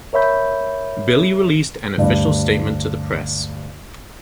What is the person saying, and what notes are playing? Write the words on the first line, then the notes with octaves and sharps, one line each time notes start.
Billy released an official statement to the press.
A#4 C#5 E5 B5 G6
D2 G2